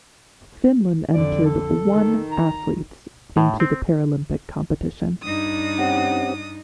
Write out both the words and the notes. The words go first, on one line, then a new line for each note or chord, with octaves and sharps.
Finland entered one athletes into the Paralympic competition.
F2 D3 D5
A4
D#3
A#5
A2
C4
G2 D4 D#4 D#6
C4 C#4 G4 F#5